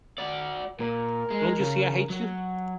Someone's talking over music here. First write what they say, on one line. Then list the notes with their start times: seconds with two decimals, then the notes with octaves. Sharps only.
Don't you see I hate you.
0.18 F#4 D5
0.80 A#2 A#4
1.30 G#3
1.59 C#3
2.10 F#3